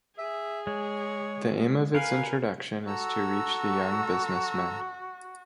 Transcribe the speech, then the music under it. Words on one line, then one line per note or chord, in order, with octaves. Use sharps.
The aim of its introduction is to reach the young businessmen.
G#4 E5
G#3 C#5
A#4 B4 F5 G#5
F#4 A4 A#5 E6